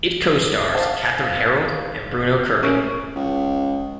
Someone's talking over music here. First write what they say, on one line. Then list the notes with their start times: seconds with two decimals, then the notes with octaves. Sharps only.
It co-stars Kathryn Harrold and Bruno Kirby.
0.75 C5 F5 A5
2.63 C#4 A#4 E5
3.16 C#2